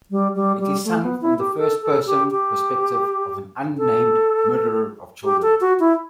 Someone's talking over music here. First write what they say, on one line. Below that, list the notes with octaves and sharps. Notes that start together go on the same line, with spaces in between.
It is sung from the first person perspective of an unnamed murderer of children.
G3
G3
G3
A3
B3
E4
G4
A4
A4
G4
G4
A4
G4
A4
F#4
E4